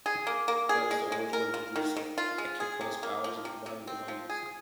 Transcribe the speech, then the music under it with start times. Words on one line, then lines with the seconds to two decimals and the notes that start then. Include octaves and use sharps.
That is the origin of the beliefs of Ekeko's powers in providing abundance.
0.06 G#4
0.27 A#3
0.48 A#3
0.69 G#4
0.91 G#3
1.12 G#3
1.33 A#4
1.54 F4
1.76 D#3
1.97 D#3
2.18 F4
2.38 G#3
2.60 G#4
2.81 C3
3.03 A#3
3.24 F3
3.45 C3
3.66 C3
3.87 C4
4.08 F3
4.30 G#4